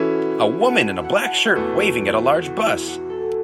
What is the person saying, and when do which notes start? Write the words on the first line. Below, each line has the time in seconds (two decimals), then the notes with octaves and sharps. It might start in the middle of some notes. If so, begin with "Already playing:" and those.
A woman in a black shirt waving at a large bus.
Already playing: E3 C#4 E4 F#4 A4
0.61 A5
0.68 F#5
0.96 E5
1.04 F#5
1.12 A5
1.23 F#5
1.33 C#5
1.44 B4
1.55 E2 E3 A3 F#4
2.44 F#4
2.66 E4
2.88 F#4
3.10 A4